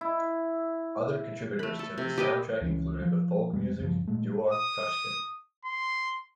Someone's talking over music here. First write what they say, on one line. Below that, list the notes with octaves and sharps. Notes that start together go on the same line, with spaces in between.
Other contributors to the soundtrack included the folk music duo Kashtin.
E4
A3 B5
A4
C3
G4 B4 D#5
C#2 E3 G3 C#4
F3
F2 G3 G#3
C2 G2 C#3 F3
A#2 G#3 A3
D#6
C6